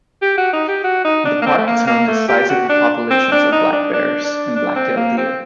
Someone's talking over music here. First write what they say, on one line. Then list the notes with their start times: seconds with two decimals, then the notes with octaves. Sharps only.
The park is home to sizable populations of black bears and Black-tailed deer.
0.22 G4
0.38 F#4
0.53 D#4
0.68 G4
0.84 F#4
1.05 D#4
1.25 D4
1.42 A#3
1.46 C4
1.58 A3
1.67 A#3
1.87 A#3
2.07 A3
2.28 G4
2.49 F#4
2.69 D4
3.10 C4
3.32 D4
3.52 D#4
3.73 D4
3.93 D4
4.24 D4
4.56 D4
4.76 C4
4.96 A#3
5.17 C4